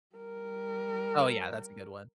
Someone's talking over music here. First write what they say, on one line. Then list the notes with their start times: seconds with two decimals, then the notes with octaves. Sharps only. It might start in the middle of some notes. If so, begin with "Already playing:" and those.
Oh, yeah, that's a good one.
0.16 G3 A#4